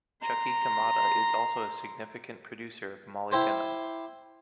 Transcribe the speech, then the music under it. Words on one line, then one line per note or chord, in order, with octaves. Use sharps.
Chuquicamata is also a significant producer of molybdenum.
A#5 C6
E4 G4 C5 C6